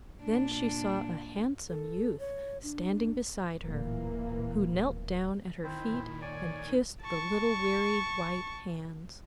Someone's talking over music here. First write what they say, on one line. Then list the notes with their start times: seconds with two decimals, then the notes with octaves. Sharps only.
Then she saw a handsome youth standing beside her; who knelt down at her feet and kissed the little weary white hands.
0.22 A#2 D4
1.69 A4
2.19 C#5
2.63 D4
3.63 D1 A#2 E3 A#3
5.64 D#3 C4 E4 C5
5.93 A#2
6.22 C#5 D5 G#5
7.02 A5 C#6